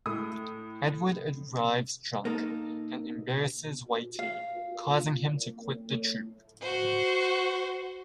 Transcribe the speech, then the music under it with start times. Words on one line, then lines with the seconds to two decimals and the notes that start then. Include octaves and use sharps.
Edward arrives drunk and embarrasses Whitey, causing him to quit the troop.
0.06 A2 D#6
2.25 A#3 D#4 A4
4.19 F5
6.61 F#4 C5